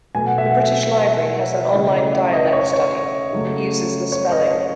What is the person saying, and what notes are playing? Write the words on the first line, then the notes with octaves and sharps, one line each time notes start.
The British Library has an online dialect study that uses the spelling.
B2 F#3 A3 G#5
F#5
E5
F#5
C#3 E3 A3 D#5
D#5
E5
D#5
C#5
C#5
C#3 F#3 A3
C#5
D#5
C#5